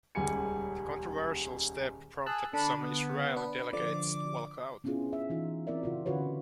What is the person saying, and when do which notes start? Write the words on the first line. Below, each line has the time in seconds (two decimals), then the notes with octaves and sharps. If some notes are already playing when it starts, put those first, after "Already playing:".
The controversial step prompted some Israeli delegates to walk out.
0.15 D#1 C#2 G3 G#5 C#7
2.26 G#4 A5 E6 F#6
2.53 D3 D4 A5 B5
2.80 B3
3.36 D4 B4
3.73 D3 F3 D5 D6
4.84 B3 C#4 D4 E4 F4 G#4
5.13 E5
5.30 E3 D#4 F4
5.67 C4 E4 A#4 D5 E5
5.83 C#3 F4 F#4
6.06 D3 C#4 F4 F#4 B4 C#5